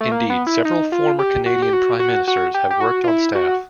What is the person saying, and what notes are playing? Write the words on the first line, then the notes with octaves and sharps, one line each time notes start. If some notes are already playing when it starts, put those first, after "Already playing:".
Indeed, several former Canadian prime ministers have worked on staff.
A3
A#3
B3
E4
D#4
F4
G4
F#4
G4
F#4
F#4
F#4
G4
G4
F#4
F4
E4
F#4